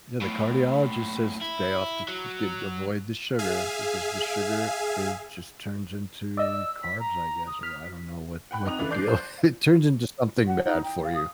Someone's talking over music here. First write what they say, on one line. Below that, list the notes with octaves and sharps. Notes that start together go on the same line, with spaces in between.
Yeah, the cardiologist says stay off the to get avoid the sugar because the sugar is just turns into carbs, I guess? Or, I don't know what what the deal it turns into something bad for you.
B1 A2
E4
F#3
G#4 E5 F5 G#5
D5 D#5 E6
B6
A#5
D#6
F6 B6
F#5 G5 B5 F#6
F2 D#4 D#6 F7
C#3 E3 D4 A4 B4
D5 D6 F#6 G6 C7
C5
F#5
D#4
G5
F5
D#6